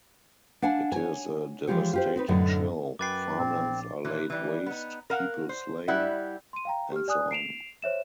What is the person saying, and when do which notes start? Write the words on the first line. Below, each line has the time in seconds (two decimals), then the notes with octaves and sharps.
It is a devastating show: farmlands are laid waste, people slain, and so on.
0.62 D4 F5 F#5 G#5 A5
0.92 C#5 G#5
1.67 E3 F3 G#3 F4 G4 C#5
1.93 F4 G4 C5
2.16 C4 D#4 B4
2.28 F#2 A2 D3 D4 D#5
2.99 F#2 B4 G5 D6 A6 C7
3.39 A#1 C4
4.05 A#2 E3
4.30 E3 G3
4.66 B3 D#4
5.10 A#4 F5 F#5
5.49 C5
5.88 G3 E4 E5 F#5
6.53 C6 D#7
6.65 F5 G5 A#5
6.92 G4 F6
7.08 D5 G#5 D#6 F#6
7.31 C7 D7 E7 F7
7.82 C5 C#5 E5 E7